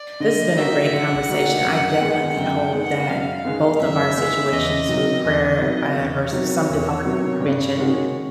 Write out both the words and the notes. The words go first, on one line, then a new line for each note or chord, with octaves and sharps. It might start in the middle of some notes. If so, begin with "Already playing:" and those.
This has been a great conversation, I definitely hope that both of our situations through prayer, a or some divine intervention
Already playing: D5
D3 D#5
G3 A#3 D#4 F#4 E5
D3 F#5
G3 A#3 D#4 F#4
F#2
D#3 G#3 B3
F#2 G5
D#3 G#3 B3 F#5
F#2 F5
D#3 G#3 B3
F#2 E5
D#3 G#3 B3
E2 D#5
C3 D#3 F#3 B3
E2 D#5
C3 D#3 F#3 B3 D#5
E2 C#5
C3 D#3 F#3 B3
E2
C3 D#3 F#3 B3
G2
D#3 G#3 C#4 F#4